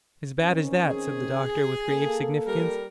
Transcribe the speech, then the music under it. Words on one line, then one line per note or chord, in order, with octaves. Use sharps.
"As bad as that," said the doctor, with grave significance.
D#3 C4 C#4
G#4
A#3 A4
G3 A#4